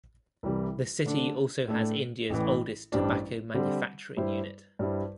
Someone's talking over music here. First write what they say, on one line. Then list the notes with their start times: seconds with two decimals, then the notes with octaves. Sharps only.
The city also has India's oldest tobacco manufacturing unit.
0.43 C2 C3 E3 G3
1.06 D3 A3 D4
1.68 A2 A3 D4 A4
2.30 A1 A2 E3
2.92 A1 G2 G3 D4 C5
3.54 D3 G3 C4
4.17 G2 G3 E4 C5
4.79 G2 G3 E4 C5